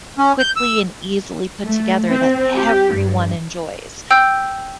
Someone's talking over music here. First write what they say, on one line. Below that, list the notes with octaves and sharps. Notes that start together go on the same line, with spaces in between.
quickly and easily put together that everyone enjoys.
C#4
G6
E6
A3
C4
G4
G2
G5 E6 G6